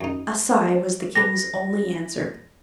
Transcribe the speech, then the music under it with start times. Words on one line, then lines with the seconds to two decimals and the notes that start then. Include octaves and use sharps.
A sigh was the king's only answer.
0.01 F#2 D#4
1.16 G4 A4 B4 A#6